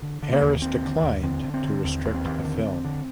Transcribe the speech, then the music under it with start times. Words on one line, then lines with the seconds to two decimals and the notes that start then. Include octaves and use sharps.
Harris declined to restrict the film.
0.02 D3
0.23 D3
0.33 A#3
0.42 D#2
0.62 D#2 C4
0.83 D3
1.03 D#2
1.23 D3 C4
1.44 D3
1.54 C4
1.63 D3
1.84 D#2 C4
2.04 D#2
2.14 C4
2.25 D#2
2.45 D3
2.65 D3
2.85 D3